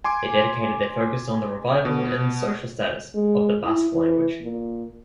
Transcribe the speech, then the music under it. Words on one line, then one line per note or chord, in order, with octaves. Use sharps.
They dedicated their focus on the revival and social status of the Basque language.
G#5 C6 D6
B2
G#3
E4
E3
A#2